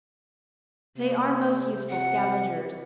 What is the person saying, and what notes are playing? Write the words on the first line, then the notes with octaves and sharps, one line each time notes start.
They are most useful scavengers.
C3 A#3
F#5